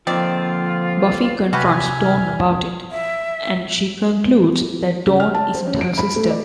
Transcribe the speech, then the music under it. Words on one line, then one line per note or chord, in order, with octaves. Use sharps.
Buffy confronts Dawn about it, and she concludes that Dawn isn't her sister.
D3 D#3 F3 A#3 C4 F4 D5
C3 F#4 G4 B4 E5 G#5 F6
E5
C#3
F6
A5
C5
C#4
D7
B5
A3
D5